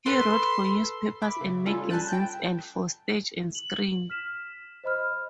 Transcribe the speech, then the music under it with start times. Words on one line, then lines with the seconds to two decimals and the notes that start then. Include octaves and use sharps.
He wrote for newspapers and magazines and for stage and screen.
0.06 A4 B4 B5 C6
1.22 E5 B5 D6
1.41 C#3
1.66 G3 C#4 F4 A4
1.90 G#5 A5 B5 F#6 G6 A6
2.08 G5 A5 G6
3.55 F#7
4.10 F6 B6 E7
4.84 C5 D#5 B5 F6